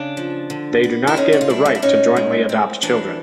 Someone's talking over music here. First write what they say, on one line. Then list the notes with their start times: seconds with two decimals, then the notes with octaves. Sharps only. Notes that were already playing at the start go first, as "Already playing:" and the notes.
They do not give the right to jointly adopt children.
Already playing: C#3 D4
0.17 F3
0.50 D3
0.84 B3
1.07 E4
1.16 D3 C#4 D#4
1.33 F#4
1.41 F4
1.49 G3 D4 E4
1.65 C#4
1.75 D4
1.82 A2 C#4 D#4
2.16 G#3
2.49 C4
2.83 E3 D4